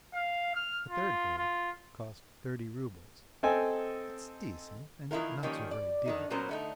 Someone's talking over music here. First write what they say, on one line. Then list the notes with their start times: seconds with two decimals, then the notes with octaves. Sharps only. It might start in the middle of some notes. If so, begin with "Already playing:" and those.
The third grade cost thirty roubles; it's decent and not so very dear.
0.14 F5
0.55 F6
0.89 F4
1.38 F4
3.43 C4 A4 D#5 G5 G#5
5.11 D#3 E3 E4 F4 A#4
5.43 D#3 F3 G3 A#3 C#4
5.71 D5
6.06 D3 D#3 D#4
6.30 A#2 F#3 B3 C#4 A#4 C5
6.49 D3 A3 D#4